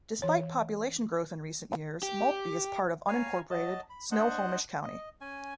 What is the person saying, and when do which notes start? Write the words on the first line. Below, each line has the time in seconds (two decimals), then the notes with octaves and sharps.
Despite population growth in recent years, Maltby is part of unincorporated Snohomish County.
0.22 E3 C#5
2.03 G4
3.08 C#5 F5 G#5 A#5
3.50 F#3 D#5 A5
3.90 B5
4.11 D4 C5 D#5 F#5
4.83 D#5
5.21 C#4 G#5